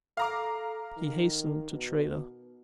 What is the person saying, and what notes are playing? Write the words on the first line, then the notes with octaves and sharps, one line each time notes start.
He hastened to Tredah.
A4 F5 A#5 D6
D#3
B2